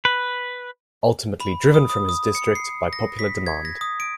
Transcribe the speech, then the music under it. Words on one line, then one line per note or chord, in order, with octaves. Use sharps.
Ultimately driven from his district by popular demand.
B4
B5
D#6
D#6
D#6
C#7
C7
A#6
B6
G#6
A#6
D#6
D7